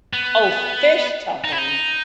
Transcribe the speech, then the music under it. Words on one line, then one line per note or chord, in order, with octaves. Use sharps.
Oh, fish taco.
B3
D#4
E4
D#4